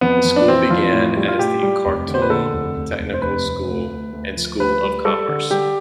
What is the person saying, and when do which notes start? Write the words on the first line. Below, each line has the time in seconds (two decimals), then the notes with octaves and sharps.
The school began as the Khartoum Technical School and School of Commerce.
0.01 F2 B3
0.24 F2
0.36 D4
0.48 E3 C4
0.70 F2 F4
0.93 A2
1.16 G3
1.28 F4
1.39 A2 G4
1.63 G3
1.85 F1
2.08 D3
2.14 C5
2.22 B4
2.30 D3 A4
2.53 F1
2.76 F1
3.00 F1
3.13 C5
3.22 F1 B4
3.45 F1
3.69 D2
3.91 D2
4.13 D2
4.37 F3
4.59 D2 B4
4.83 G3
5.05 G3 A4
5.28 D3
5.51 G3 G4